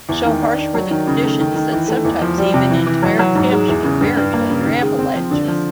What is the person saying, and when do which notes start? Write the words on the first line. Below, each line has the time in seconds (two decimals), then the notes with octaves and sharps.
So harsh were the conditions that sometimes even entire camps were buried under avalanches.
0.09 E2
0.25 D#3
0.41 D4
0.58 D4
0.74 F#3
0.91 D#3
1.07 C#3
1.24 A3
1.40 D#3
1.56 D#3
1.72 E3
1.88 A3
2.05 E2
2.21 F3
2.38 G3
2.54 C3
2.70 E3
2.86 E3
3.02 F#3
3.19 F#3
3.35 G#2
3.52 G#3
3.68 E2
3.84 C#3
4.01 G2
4.17 G2
4.33 A#3
4.50 C#3
4.66 D#3
4.82 G#3
4.99 C4
5.15 F3
5.31 D3
5.48 F3